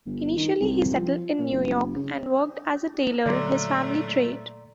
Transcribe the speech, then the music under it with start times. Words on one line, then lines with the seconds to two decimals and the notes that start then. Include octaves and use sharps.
Initially he settled in New York and worked as a tailor, his family trade.
0.05 G1
0.36 D#3
0.60 C2
0.96 F3
1.39 A#2
1.52 F#1
1.96 C#3
3.26 A#2 D3 F#3 A3 D5 A#5 C6